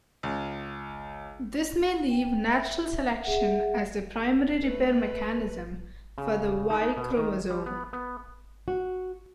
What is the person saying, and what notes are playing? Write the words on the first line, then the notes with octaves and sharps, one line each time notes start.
This may leave natural selection as the primary repair mechanism for the Y chromosome.
C#2
G5
E5
G#4 E5 F#5
A3 B4
C#3
D#4
D#4
B2
D#3
G3
B3
B3
F#4